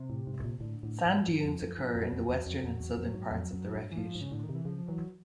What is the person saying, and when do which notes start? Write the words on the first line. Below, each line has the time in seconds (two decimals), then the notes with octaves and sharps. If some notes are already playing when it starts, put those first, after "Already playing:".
Sand dunes occur in the western and southern parts of the refuge.
Already playing: C3
0.10 A2
0.27 G#2
0.44 A#2
0.61 A2 D3
0.83 A2 D3
1.01 F3
1.06 G#2 E3
1.19 F#3
1.28 G2 F3
1.44 F2
1.62 F#2
1.79 G2
1.86 F3
1.95 F2 F#3
2.13 F2
2.29 E2
2.46 F2
2.64 F2
2.80 E2
2.97 F2
3.14 G#2
3.31 F2
3.53 F#2
3.75 G2
3.91 E3
3.98 G#2 F3
4.15 G#2
4.21 C#3
4.32 A2 D3
4.43 D#3
4.49 C3
4.55 E3
4.65 C#3 F3
4.78 F3
4.88 E3 F#3